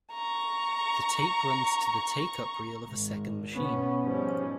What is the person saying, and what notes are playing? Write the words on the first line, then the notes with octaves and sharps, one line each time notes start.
The tape runs to the take-up reel of a second machine.
A#5 C#6
G#1
B2 B3 C#4
G#2 F3 G3 C#4